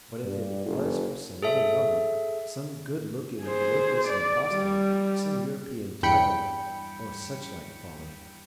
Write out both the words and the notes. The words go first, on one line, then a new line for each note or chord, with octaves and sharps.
But if it was for some other lover, some good-looking, worthless impostor, some European title or suchlike folly--!
G2
F#1
G#4 A4 E5
G#4 C5
D5
G3
E2 G2 G5 B5 C#7